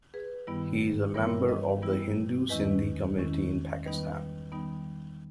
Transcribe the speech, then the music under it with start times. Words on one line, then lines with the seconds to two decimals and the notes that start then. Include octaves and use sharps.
He is a member of the Hindu Sindhi community in Pakistan.
0.14 G#4 B4
0.47 G2 D#3 G3 B3 E4
1.14 G2 E3 G3 B3 E4 A#4 C#5
1.48 B4 D#5
1.82 G2 E3 G3 B3 E4
2.49 E2 D#3 G#3 C#4 E4 B4 D#5
3.18 E2 D#3 G#3 C#4 E4
3.84 D#3 G3 B3 D#4 B4 D#5
4.52 D#3 G3 B3 D#4